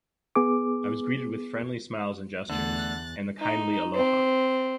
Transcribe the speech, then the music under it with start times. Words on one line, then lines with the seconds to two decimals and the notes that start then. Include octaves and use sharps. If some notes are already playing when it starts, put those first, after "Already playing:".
I was greeted with friendly smiles and gestures and the kindly aloha.
0.36 B3 G#4 D6
2.49 E2 D3 A3 F#6 A6
3.40 D#4
3.95 C4